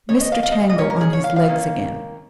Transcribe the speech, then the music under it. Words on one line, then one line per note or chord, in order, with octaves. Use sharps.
Mr. Tangle on his legs again.
D#3 C#4 C#5
D#5
F5
F5
D#5
F5
D#5
A#2 A#3 C#4 C#5
A#4
G#4
C#5
F5
F5
D#3 A#3 C#4